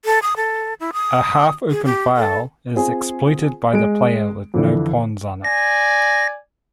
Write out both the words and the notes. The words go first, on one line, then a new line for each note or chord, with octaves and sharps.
A half-open file is exploited by the player with no pawns on it.
A4
D#6
A4
E4
D#6
G#4
G4
A4
C4 F4 G#4
G#3 D7
F2 D3 E3
D5 G#5 A#6